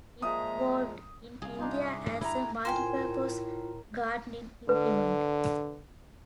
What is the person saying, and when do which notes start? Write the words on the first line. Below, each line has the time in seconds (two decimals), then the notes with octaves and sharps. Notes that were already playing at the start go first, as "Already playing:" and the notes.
It evolved in India as a multi-purpose gardening implement.
0.22 A#2 F3 G#3 E5 A#5 D#6
1.42 C2 G#4 F5
1.59 D4 D#4 F4
1.71 E5
2.06 G2 E3 A#3
2.21 G2 D3 G3 E4 A#5
2.33 D2
2.65 A2 F4 A#4 C5 G5 G#5
4.69 D3 B4